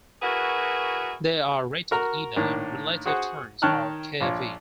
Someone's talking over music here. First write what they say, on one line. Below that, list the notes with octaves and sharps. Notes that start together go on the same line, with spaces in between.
They are rated either in relative turns or Kv.
F#3 E4 F#4 G#4 A#4 B4
F#4 A#4 A#5
A2 D#3 A#3 D4
F#4 G#4 C5 F#5
D#3 C#5 G5 A5 F6 F#6
A#1 F4 C#5